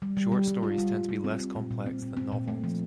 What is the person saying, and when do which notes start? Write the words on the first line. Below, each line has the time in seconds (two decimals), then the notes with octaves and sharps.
Short stories tend to be less complex than novels.
0.02 G3
0.17 G3
0.32 G3
0.48 G3
0.63 F4
0.78 G3
0.94 G3
1.09 G3
1.24 C4
1.40 C4
1.56 A#2
1.71 A#2
1.86 C4
2.02 A#2
2.17 C4
2.32 A#2
2.48 A3
2.64 F3